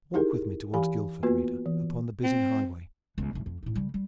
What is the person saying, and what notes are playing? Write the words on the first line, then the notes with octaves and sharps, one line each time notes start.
Walk with me toward Guildford, reader, upon the busy highway.
D#4 E4 G4 G#4 A#4
E3 G4 F5 G#5 B5
A#3 B3 F4 F#4 B4
E3
C4
C#2 B3
F1 D#4
F2
A2 D#4
C#3 G3
G3